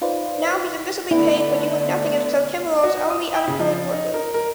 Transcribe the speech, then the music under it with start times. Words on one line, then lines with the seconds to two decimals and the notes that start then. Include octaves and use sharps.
Now he's officially paid for doing nothing as Clochemerle's only unemployed worker.
0.01 D#4 F4 B4 C5 D5
1.11 D3 A3 B3 E4 D5
2.83 F#4
3.10 D#6
3.34 G5
3.48 C#3
3.59 F3
3.93 D#4
4.14 A#4
4.34 A#4